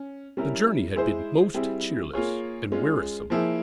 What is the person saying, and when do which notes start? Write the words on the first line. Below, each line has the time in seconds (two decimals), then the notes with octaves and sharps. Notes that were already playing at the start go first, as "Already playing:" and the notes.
The journey had been most cheerless and wearisome.
Already playing: C#4
0.37 G3 C#4 E4 A#4
0.96 G#3 E4 G#4 C5
1.54 G3 C4 E4 G#4
2.13 A#3 F4 G#4 C#5
2.72 G#3 C#4 F4
3.30 F3 A#3 E4 G#4